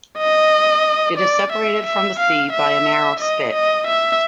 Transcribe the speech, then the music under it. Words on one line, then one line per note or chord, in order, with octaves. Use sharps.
It is separated from the sea by a narrow spit.
D#5
D5
E5
E5
F5
E5
D#5
D#5
E5